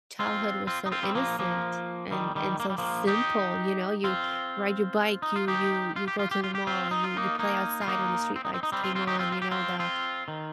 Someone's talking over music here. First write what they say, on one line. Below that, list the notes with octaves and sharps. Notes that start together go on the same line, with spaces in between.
childhood was so innocent, and and so simple, you know, you ride your bike, you you you go to the mall, you you play outside when the street lights came on, you know, the
C4 F4
C4 F4
D#4
C4 F4
G3 C4
F3 A#3
F3 A#3
D#3 G3
D#3 G3
A#3
G3
F3 A#3
D#4 G4
C4 F4
D#4
F4
D#4 G4
F4
G4
F4
G4
F4
G4
C4 F4
D#4
F4
A#3 D#4
A#3 D#4
F4
A#3 D#4
C4
D#4
C4
D#4
G3 C4
C4 F4
C4 F4
D#4 G4
C4 F4
F4
G4
C4 F4
C4 F4
D#3